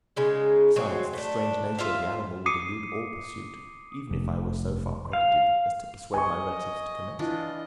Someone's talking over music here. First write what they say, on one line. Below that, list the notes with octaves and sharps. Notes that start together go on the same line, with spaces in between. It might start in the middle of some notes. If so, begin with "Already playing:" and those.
Besides, the strange nature of the animal would elude all pursuit, even if I were so far credited as to persuade my relatives to commence it.
C#3 G#3 D#4
F#3 G#3 C4 F#4
A3 D4
F4 E5 F5
D6 D#6 C7 C#7 D#7
F1
F5
D#5 G#5 C#6
E3 D4 F4 D#5